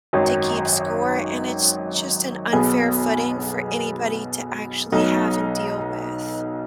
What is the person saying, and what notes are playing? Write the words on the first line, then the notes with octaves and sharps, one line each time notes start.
to keep score, and it's just an unfair footing for anybody to actually have and deal with.
G#1 F#2 D#3 F#3 D#4
B1 B2 B3 G#4
B1 B2 F#3 D#4